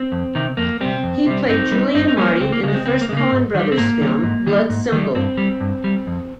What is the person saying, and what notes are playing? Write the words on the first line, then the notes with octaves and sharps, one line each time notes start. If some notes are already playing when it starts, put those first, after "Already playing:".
He played Julian Marty in the first Coen Brothers film, "Blood Simple".
Already playing: C4
F2
C3 D#3
F2 A#3
C3 G3 C4
F2
C3 G3
G2 C4 D#4
G3
G2 C4 D#4
D#4
G3 A#3 C#4
C#2 C4
A#3
C#3 G#3 A#3
C4
C#2 C4
A#3
G#3
C#3 A#3
G#2
D#3 G3
C4
G#2 A#3
D#3 G3
G#2
D#3 G3
G#2
D#3 G3
G2 C4
G3
G2
G3
F2